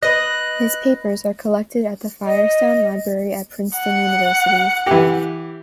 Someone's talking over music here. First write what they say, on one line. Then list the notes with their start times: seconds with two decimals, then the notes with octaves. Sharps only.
His papers are collected at the Firestone Library at Princeton University.
0.03 B4 D#5 F#6 A#6
2.25 D#5
3.77 F#5
4.86 E3 G4